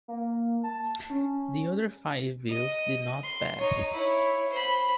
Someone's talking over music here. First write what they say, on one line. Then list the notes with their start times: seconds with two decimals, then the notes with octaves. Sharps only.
The other five bills did not pass.
0.08 A#3
0.64 A5
1.10 C#4
2.49 D#5
3.23 C6
3.59 D#4 C#5
3.92 E4 C#5
4.50 C5 B5